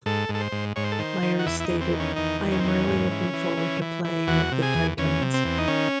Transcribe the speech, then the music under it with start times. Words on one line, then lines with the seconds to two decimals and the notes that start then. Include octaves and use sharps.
Meyers stated, I am really looking forward to playing with the Titans.
0.06 G#2 A4
0.29 G#2
0.35 A4
0.40 C5
0.52 G#2
0.76 G#2 C#5
0.84 C5
0.92 A4
0.99 D#3 C5
1.22 D#3
1.39 F#4
1.46 E2 E4
1.60 E4
1.64 D#4
1.69 E2
1.81 C4
1.93 D#3
2.00 C#4
2.16 E2 D#4
2.41 D#3
2.52 C#4
2.60 C4
2.64 E2 C#4
2.88 G#2
3.11 E3
3.33 E3
3.57 E3
3.81 E3
4.04 E3
4.27 E2 F#4
4.52 C3
4.62 G#4
4.75 E2
4.98 E2 C#4
5.21 C3
5.34 C4
5.44 E2
5.58 D#4
5.68 D#3 C#4